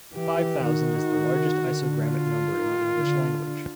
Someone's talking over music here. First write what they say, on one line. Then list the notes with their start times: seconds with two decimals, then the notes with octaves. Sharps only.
Five thousand is the largest isogrammic number in the English language.
0.14 E3 G4
0.63 D#3 F#4
1.60 D3
2.08 F4
2.56 D#3
3.04 D3